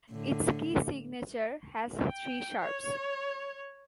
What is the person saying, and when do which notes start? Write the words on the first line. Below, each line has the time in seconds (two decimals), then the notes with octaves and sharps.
Its key signature has three sharps.
0.11 A2 D3
2.07 G5
2.60 C#5